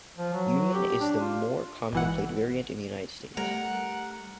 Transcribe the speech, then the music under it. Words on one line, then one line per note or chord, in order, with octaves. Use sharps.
Union is the more commonly played variant in the United States.
F3
F#3
G4
D4
F4
G#1 E3 F#5
G3 A3 A#4 F#5